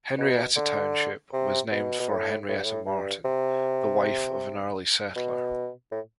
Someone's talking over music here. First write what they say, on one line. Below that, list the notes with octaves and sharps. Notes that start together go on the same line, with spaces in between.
Henrietta Township was named for Henrietta Martin, the wife of an early settler.
B2
D3
C3
B2
B2
A2
A2
G2
A2
G2
C3
B2
A2